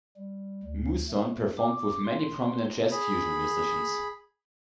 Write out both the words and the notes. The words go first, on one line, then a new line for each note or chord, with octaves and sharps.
Mouzon performed with many prominent jazz-fusion musicians.
G3
D2
A3
D6
C6
G#4 B5